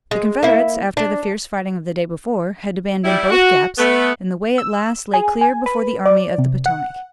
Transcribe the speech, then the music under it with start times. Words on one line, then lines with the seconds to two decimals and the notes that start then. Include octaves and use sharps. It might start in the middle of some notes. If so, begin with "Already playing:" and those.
The Confederates, after the fierce fighting of the day before, had abandoned both gaps, and the way at last lay clear before the Army of the Potomac.
0.11 G#3
0.43 A#3 E4
0.97 D4
3.05 G3 E4
3.31 F#4
3.78 A3 B3
4.58 E6
5.14 G#4
5.41 G#5
5.66 B4
6.06 D5
6.38 C3
6.66 F#5